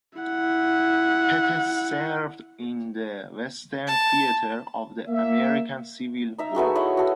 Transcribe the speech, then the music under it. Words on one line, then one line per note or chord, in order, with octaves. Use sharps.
Pettus served in the Western Theater of the American Civil War.
E4 F#5
A5
A#3 E5
D#4 E5 A#5
A3 B3 F#4 G#4
E4 C#5 D#5 F#5
F#4 A4